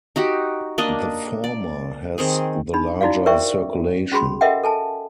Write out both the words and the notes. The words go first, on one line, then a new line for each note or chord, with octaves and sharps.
The former has the larger circulation.
D#4 F#4 G4
A#3 D4 D#5
D5
D#3 C4 G#4
D4 D#4 B5
D#4 E4 F#4 D5 F5
A#4 C5 D5 E5 G5 C#6
C#4 F#4 G#4 B5 C6
A4 A#4 D#5 E5 F#5 G5
A4 G#5 A5